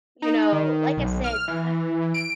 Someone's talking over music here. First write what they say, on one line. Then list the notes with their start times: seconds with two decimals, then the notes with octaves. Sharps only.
you know, like I said, uh,
0.22 D#4
0.52 D#3
0.97 B1
1.24 F6
1.48 E3
2.14 D7